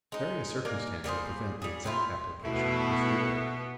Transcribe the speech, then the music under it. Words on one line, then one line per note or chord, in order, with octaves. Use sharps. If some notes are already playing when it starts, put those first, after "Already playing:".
Various circumstances prevent the exact application of this rule.
G#3 D#4
A#3 A#4 D5 G#5
G3 A#3 G#4 C5
G3 G#4
C4 E4 F4
B2 A3 B3 E4